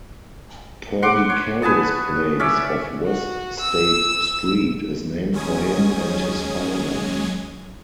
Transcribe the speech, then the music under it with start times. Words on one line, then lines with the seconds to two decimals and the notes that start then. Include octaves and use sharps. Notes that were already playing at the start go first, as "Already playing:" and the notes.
Perdicaris Place, off West State Street, is named for him and his father.
1.03 F#5 C6 D6
1.30 C#5
1.62 B4 G#5 A5 D#6
2.40 C#4 D5 E5
3.03 F#4
3.59 E6
5.33 D#2 F#3 G#3 C#4 D#6 G#6